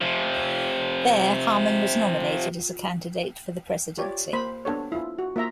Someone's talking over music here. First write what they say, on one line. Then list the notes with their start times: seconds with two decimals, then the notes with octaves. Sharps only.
There, Harmon was nominated as a candidate for the presidency.
0.01 C3 F3
3.98 F4 G4 C#5 D5
4.33 A#3 C5 B5
4.65 B3 D4 A4 C#5
4.92 E4 F4
5.19 F#4
5.36 A#3 F4 E5 A#5